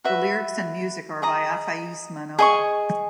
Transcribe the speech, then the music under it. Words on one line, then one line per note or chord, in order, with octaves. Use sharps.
The lyrics and music are by Afaese Manoa.
F#4 B4 E5
G#4 D#5 A#5 D#6
G#4 D#5 G#5 C#6